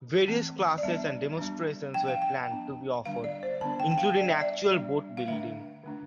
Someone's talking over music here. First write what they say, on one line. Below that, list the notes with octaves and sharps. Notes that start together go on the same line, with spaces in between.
Various classes and demonstrations were planned to be offered, including actual boat building.
E3 A3 C4
D5
G3 B3 D4 E5
G3 B3 D4
F3 B3 D4 G5
F5
G5
F3 B3 D4
D3 G3 B3 D4 F5
D5
C5
D3 G3 B3 D4 A5
G5
G5
F5
G3 D4 D5
E5
D5
G3 D4
F5
D3 A3 D4 E5
D3 A3 D4